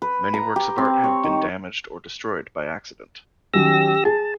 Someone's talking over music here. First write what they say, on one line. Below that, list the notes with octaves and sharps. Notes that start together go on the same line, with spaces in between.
Many works of art have been damaged or destroyed by accident.
B4
A#5
G4
C4
C#5
D#3
D#3 F#3 C#4 G4 E6 A#6
G#4 A5